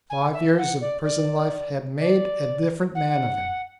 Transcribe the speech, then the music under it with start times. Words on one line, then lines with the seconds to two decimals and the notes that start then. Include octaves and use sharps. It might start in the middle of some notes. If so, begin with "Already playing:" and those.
Five years of prison life had made a different man of him.
0.10 G#5
0.33 E5
0.57 F#5
0.81 D5
1.04 D5
2.00 D5
2.95 F#5